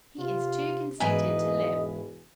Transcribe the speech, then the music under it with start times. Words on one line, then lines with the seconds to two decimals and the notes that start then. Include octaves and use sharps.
"He is too conceited to live."
0.19 C3 F4
1.00 E1 G#2 E3 B4 D#5 G#5